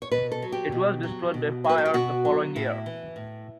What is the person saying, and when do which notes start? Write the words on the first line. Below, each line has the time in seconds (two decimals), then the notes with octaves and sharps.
It was destroyed by fire the following year.
0.02 C#5
0.11 B2 B4
0.32 A4
0.42 F#3
0.52 G4
0.72 B2
1.03 F#3
1.34 B2
1.64 F#3
1.69 B4
1.78 A4
1.85 G4
1.94 B2 F#4
2.25 F#3
2.56 A2 E4
2.86 E3
3.16 A2